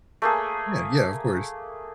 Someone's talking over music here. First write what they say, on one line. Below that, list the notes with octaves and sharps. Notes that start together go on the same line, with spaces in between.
Yeah, yeah, of course.
A3 A#3 G#4